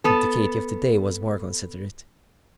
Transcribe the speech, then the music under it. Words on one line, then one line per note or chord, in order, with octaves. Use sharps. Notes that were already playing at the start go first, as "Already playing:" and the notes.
But the Katy of to-day was more considerate.
B3 A4